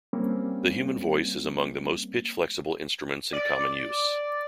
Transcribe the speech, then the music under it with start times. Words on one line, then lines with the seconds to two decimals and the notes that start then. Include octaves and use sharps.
The human voice is among the most pitch-flexible instruments in common use.
0.13 G3 A#3 C4 C#4
3.33 D5